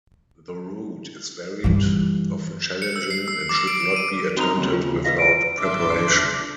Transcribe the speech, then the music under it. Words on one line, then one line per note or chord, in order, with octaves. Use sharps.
The route is varied, often challenging and should not be attempted without preparation.
G2 E3
C#7
E6
C7
E6
D6
D7
D7
D#7
C4 D#4 F#4 A#5
D#2 C#3
F4 G#4
B4 D#5 F5 A#6
D7
G#1 D4 E5 C6 D6